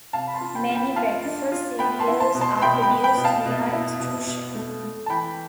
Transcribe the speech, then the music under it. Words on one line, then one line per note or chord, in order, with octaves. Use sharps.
Many breakfast cereals are produced via extrusion.
C3 F5 A5
B5
A5 C6
F4
G5 B5
F4
G5 B5
F4 F5 A5
D4
F4
B3 G5 B5
A5 C6
E4
A5 C6
B2
A5 C6
C6
B2 G5 B5
G5 B5
B3
G5 B5
B2
F5 A5
B2
E4
B2
B2
A3
A3
A5
E3 G5 B5